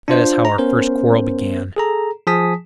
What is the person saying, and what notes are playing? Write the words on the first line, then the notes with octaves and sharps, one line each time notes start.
That is how our first quarrel began.
D4 F4 C5
A#5
B3 C#4 A#4 C5
G#4 A4 A#5
F3 G#4 G#5 A5 D#6 B6